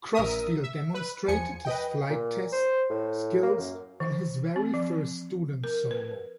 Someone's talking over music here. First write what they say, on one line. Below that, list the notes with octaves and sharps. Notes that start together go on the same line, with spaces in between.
Crossfield demonstrated his flight test skills on his very first student solo.
A#1 A#4 E5 D#6
E5
B4
E2 F3 G#5 C#7
B4 D#5 G5
A#2
C5
A2
A#3
F#2
E3
C4
F3
A#4
B4